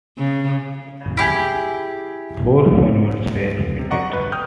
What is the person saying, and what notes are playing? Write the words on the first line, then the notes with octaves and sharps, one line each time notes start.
Four funnels were fitted.
C#3
E4 G4 G#4
C3
D5 D#5 F#5 A#5 C#6
G1 B4
G5 D#6 F6 G6